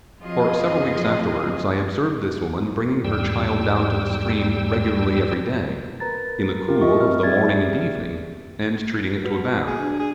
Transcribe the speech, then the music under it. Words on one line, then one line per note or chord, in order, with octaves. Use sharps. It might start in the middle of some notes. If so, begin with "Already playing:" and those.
For several weeks afterwards I observed this woman bringing her child down to the stream regularly every day, in the cool of the morning and evening and treating it to a bath.
F#2 F3 C4 F4 G#4 D#5
E2 G#2 G3 G5 E6
A#4 B4 A#5 A6
F4 G4 A#4
D#5 E5 C#6
C4 F6
G4 G#4 D5 E5 G#6 A6
F#4 B4
G#4
D4
G#4